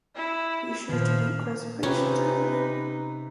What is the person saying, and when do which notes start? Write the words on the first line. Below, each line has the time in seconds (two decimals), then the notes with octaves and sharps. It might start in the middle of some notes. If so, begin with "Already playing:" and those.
Be sure to make reservations early!
0.15 E4
0.89 A#2 D#3 F3
1.83 C3 C#4 D#4 F4 G4 B4